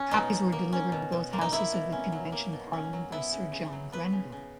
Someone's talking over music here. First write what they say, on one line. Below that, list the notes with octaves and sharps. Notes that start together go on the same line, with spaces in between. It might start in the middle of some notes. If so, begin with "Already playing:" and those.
Copies were delivered to both houses of the Convention Parliament by Sir John Grenville.
Already playing: C#4
B2 D#4
B2
A#3
C#4
B2
B2
A#3
D#4
A#3 E4
B2
C#4
F#3
A#3
B2
C#4
F#3
B3 E4
C#3
C#3
F#3
B3 B4
C#3
C#3